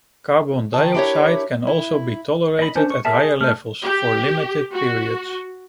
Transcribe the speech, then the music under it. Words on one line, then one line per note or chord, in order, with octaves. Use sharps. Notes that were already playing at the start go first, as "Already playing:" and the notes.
Carbon dioxide can also be tolerated at higher levels for limited periods.
D#3 A5
D4 E4 G4 A#4 C#5
E4
D#5 B5
C#4 D4 C5
C#6
G#4 A#4 E5 A5
G#4
A3 F6
G4
F#4